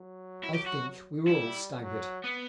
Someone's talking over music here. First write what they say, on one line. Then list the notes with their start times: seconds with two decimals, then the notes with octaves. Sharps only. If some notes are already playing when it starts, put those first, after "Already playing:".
I think we were all staggered.
Already playing: F#3
0.43 E4
0.54 G4
0.67 F#4
1.27 G3 E4
1.76 F#3
2.24 B3